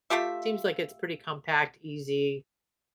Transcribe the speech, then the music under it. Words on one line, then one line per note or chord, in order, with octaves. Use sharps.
seems like it's pretty compact, easy,
A3 F4 G4 E5